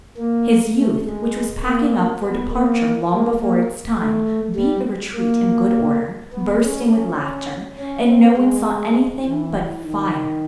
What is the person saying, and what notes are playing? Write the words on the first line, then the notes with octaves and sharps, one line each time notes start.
His youth, which was packing up for departure long before its time, beat a retreat in good order, bursting with laughter, and no one saw anything but fire.
A#3
A3
G#3
A#3
B3
A#3
A#3
A#3
A3
G3
A#3
B3
C#4
C#4
C#4
C4
G#3
E3
D#3